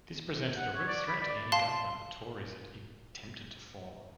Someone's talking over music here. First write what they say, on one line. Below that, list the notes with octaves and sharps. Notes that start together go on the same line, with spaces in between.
This presented a real threat to any government the Tories attempted to form.
F#5
C#5
D5
B5
D5
F5 A5 C6